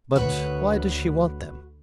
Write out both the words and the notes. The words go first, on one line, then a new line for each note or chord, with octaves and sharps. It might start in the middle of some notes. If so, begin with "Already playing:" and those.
"But why does she want them?"
D2 F#4 B4 C#5